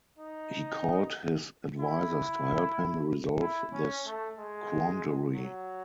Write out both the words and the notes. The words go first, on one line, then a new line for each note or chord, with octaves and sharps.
He called his advisers to help him resolve this quandary.
D#4
E4
E4
C#4
A3
G#3
F#3